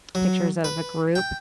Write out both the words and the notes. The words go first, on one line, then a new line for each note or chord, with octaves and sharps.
pictures of a group,
F#3
B4
G5